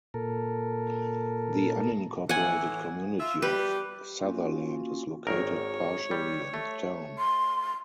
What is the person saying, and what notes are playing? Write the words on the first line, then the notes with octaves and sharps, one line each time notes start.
The unincorporated community of Sutherland is located partially in the town.
A#2 A4 A#4
A2 E3 F#5 G#5
F4 E5
G3 G4 B4
A#3 C#4 F4 F#4
G#1 A#4 C#5
G3
A3
C6